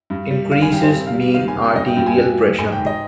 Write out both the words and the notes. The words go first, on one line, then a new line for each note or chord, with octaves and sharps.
Increases mean arterial pressure.
G2
G3
G3 F5
G#5
G2 G5
C5
C3
F5
G3
F5
D#3 F5
G#5
C3
G5
G2 D#5
G5
G2 G5
G#5
G2
G3
G#2 G#5
G5
G#2
D#5